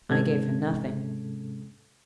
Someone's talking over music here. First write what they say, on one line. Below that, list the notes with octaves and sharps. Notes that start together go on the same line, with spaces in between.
'I gave her nothing.
G#2 C3 G#3 C#4 A4 G#6